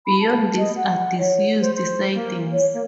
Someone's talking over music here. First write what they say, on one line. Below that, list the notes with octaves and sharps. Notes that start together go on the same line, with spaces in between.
Beyond this are disused sidings.
B5
A5
D#5
F#5
C#5
C5
C5
A#3
C#5
A#3